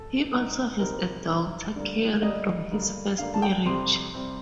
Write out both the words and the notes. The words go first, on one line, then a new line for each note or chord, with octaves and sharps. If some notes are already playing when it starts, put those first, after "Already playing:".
He also has a daughter, Cary, from his first marriage.
Already playing: A4
C3 G3 C4 D#4
C3 G3 C4 D#4 A#4
C3 G3 C4 D#4
G2 D3 G3 A#3
G2 D3 G3 A#3 D#5
G2 D3 G3 A#3
G2 D3 G3 A#3 F5
A5
G5
F2 C3 G3 C4 C6
C3 G3 C4